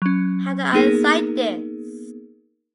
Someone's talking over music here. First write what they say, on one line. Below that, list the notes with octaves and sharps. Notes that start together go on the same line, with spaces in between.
How do I cite this?
F#3 C#4
A#3 B3 D#4 G#4 A#4